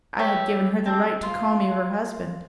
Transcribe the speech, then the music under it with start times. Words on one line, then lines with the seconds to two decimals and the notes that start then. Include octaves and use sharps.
I had given her the right to call me her husband.
0.19 G4 B4 C#5 E5
0.86 C4 D4
1.23 F4